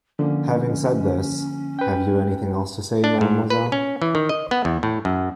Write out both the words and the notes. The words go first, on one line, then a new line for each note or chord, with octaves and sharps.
Having said this, have you anything else to say, mademoiselle?
D3 F3 A#3 C#4
B4 G5
D4
G#2
B4
C#4
E3
D#3
D#5
B3
E2
A2
F#2